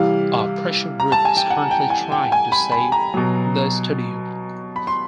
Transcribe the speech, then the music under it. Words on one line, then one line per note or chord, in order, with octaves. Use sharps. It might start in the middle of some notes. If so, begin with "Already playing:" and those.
A pressure group is currently trying to save the studio.
Already playing: C3 E3 G3 F5
A#5
A5
G#5
G5
F#5
G5
G#5
G5
G#5
B5
B5
A#5
B2 F#3
B5
C6